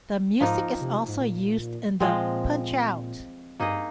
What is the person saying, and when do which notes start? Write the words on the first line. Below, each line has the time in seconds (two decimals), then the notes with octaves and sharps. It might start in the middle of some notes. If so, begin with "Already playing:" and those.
The music is also used in the Punch-Out!!
0.40 G#2 F3 A#3 D#4 A#4
0.81 C3
1.08 G#2
1.21 A#2
2.00 A#2 F3 G#3 C4
3.60 G2 A#3 D#4 G#4 D#5